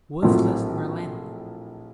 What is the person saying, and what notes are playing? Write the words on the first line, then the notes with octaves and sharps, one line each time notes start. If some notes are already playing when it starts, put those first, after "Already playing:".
Woods lives in Berlin.
A#1 A2 F#3 C4 F4